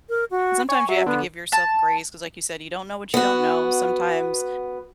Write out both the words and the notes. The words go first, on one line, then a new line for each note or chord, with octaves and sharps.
Sometimes you have to give yourself grace, 'cause like you said, you don't know what you don't know, sometimes
A#4
F#4
C#5 G#5
F#3 E5
D3 B3
A5
B3 F#4